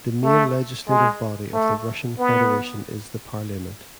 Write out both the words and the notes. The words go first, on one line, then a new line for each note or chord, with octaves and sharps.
The main legislative body of the Russian Federation is the Parliament.
A3
G#3
A3
B3